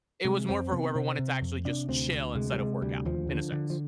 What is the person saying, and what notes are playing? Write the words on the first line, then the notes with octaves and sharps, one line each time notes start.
It was more for whoever wanted to actually just chill instead of workout, in a sense.
C3 G#3
F2 C4
C3 B3
C3 C4
C3
F2
C3 D4
D2 C4
D2
C3 G#3
G3
C3 G#3
D2 G3
D#2 F3
D3
D3
F3